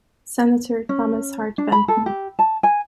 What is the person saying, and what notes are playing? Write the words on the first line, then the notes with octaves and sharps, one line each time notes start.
Senator Thomas Hart Benton.
C#4
D4
B5
A4
G4
A5
G#5